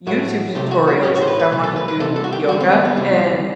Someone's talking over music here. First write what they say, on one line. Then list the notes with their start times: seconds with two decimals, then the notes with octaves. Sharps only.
YouTube tutorials if I wanna do yoga, and,
0.07 A2 F#3 A3 F#4
0.55 C2 C3 F#3 A3 G4
0.71 F#4
0.87 F#4
1.03 A2 F#3 A3 G4
1.16 F#4
1.21 C5
1.27 B4
1.40 B4
1.51 C2 B2 F#3 A3 B4
1.64 A4
1.76 B4
1.88 B4
2.00 C2 C3 E3 A4
2.16 A4
2.24 F#4
2.32 G4
2.48 E2 D3 G3 F#4
2.60 C4
2.73 B3
2.85 B3
2.96 D2 C3 E3 G3